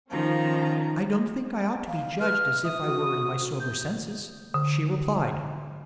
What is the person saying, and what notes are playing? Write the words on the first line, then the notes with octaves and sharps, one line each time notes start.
'I don't think I ought to be judged as if I were in my sober senses,' she replied.
D#3 F3 C#4 F4 A#5
F5
B4 F6
E5 D#6
F#4
G6
D3